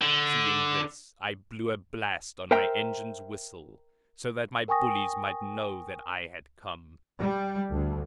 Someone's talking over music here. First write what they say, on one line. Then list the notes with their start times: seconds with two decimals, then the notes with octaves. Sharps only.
Seeing this, I blew a blast on my engine's whistle, so that my bullies might know that I had come.
0.02 D3
2.51 A#4 C5 E5 G5 A#5
4.68 A#4 G5 G#5 C#6 D#6 A#6
7.18 G3
7.72 D2